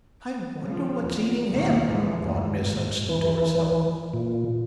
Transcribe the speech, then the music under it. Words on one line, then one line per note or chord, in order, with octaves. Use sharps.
"I wonder what's eating him," thought Miss Hudson to herself.
C#3 F3
E2
G1 D#2 G#2 B2 D#3 A#3
A2 E3 F3 G#3
F#1 D#2 A2
G#1 F2 A#2
E3
A#2